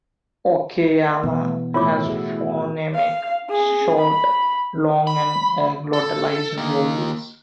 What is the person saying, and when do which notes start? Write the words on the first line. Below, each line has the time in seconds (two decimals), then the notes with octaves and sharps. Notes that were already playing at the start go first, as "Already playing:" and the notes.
Oowekyala has phonemic short, long, and glottalized vowels.
1.23 B2 E3 B3
1.74 A2 E4 F4 C#5 D6
2.07 F#4 G#4
2.95 F5
3.49 G#4
4.01 B5
5.07 B5
5.93 A4
6.57 D#3 A#3